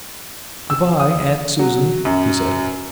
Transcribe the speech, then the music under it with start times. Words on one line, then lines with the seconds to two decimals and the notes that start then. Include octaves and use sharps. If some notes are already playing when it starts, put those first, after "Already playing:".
"Good-bye, Aunt Susan," he said.
0.70 E6
1.00 D#6
1.59 F#3
2.05 F#2